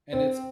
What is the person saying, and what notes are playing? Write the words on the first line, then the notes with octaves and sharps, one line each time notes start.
And it's,
C4